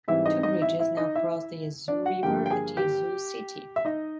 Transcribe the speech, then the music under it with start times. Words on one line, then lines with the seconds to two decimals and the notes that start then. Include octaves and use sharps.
Two bridges now cross the Yazoo River at Yazoo City.
0.08 G#2 E3 G3 C4 E4 E5
0.26 D#4 D#5
0.43 D#4 D#5
0.61 E4 E5
0.80 E4 E5
0.97 D#4 D#5
1.16 E4 E5
1.88 D4 D5
2.06 F#4 F#5
2.23 G2 D3 F3 A#3 D4 G4 G5
2.46 G5
2.50 G#4 G#5
2.77 G4 G5
3.76 E5
3.85 D#4 D#5